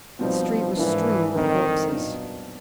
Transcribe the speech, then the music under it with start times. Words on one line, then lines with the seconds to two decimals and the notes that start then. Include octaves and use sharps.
The street was strewn with corpses.
0.19 B2 F3 G3 C4 D#4
0.77 G#2 E3 F3 A#3 D4
1.35 F2 D3 D#3 G3 C4 E4
1.92 B1 A#2 F#3 B3 D4